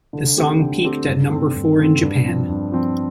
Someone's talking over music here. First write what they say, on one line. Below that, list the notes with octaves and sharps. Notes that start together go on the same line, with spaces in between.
The song peaked at number four in Japan.
D3
A3 C4 G4
D3
A3 C4 G4
G2
D3 A3 C4
G2
D3 A3 C4
G2
F3 C4
G2
F3 C4